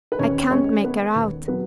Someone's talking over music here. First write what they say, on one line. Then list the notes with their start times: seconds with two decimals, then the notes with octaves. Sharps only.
I can't make her out.
0.12 B4
0.19 D#2 C#4 C#5
0.51 G#3 C#4 C#5
0.84 B3 B4
1.16 D#2
1.48 F#3 B3 B4